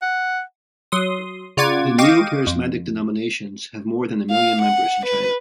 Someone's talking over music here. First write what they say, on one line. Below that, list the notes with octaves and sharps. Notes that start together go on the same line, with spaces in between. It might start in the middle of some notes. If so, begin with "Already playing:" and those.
The neo-charismatic denominations have more than a million members in China.
F#5
F#3 C6 D#6
C#3 F4 D5 F#5 D6 G#6
D#5 F5 G5 C#6 D6 D#7
F2
F5
F#5
B4